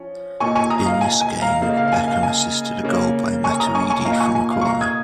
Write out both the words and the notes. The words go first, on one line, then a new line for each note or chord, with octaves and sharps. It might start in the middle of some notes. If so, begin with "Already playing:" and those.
In this game, Beckham assisted a goal by Matuidi from a corner.
Already playing: F3 C#4
A#2 A#3 D#4 G#5 C#6
G#5 C#6
A#5 D#6
F5 A#5
G#5
G#5
F5 A#5
C#3 A#3 D#4 F5
F5
F5
G#5
F5
G#5
C#3 A#3 C#4
G#5 C#6
A#5 D#6
G#5 C#6
G#5 C#6
A#2 A#3 D#4 F5 A#5
G#5 C#6
G#5
F5
C#6
F5 A#5
D#6 G#6